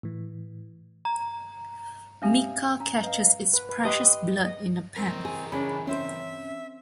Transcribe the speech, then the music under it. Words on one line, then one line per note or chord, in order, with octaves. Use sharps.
Micca catches its precious blood in a pan.
A2 E3
A#5
A3 C4 C#4 G4 E5 F5 G#5
C#4 A#5
B4 D#5 F5
B4
B4
G4 B4 D#5 C6
D#5
E3 C4 A#4
G#4
C#3 C#4 D4 G#5 B5
C4 C#4 C5 E5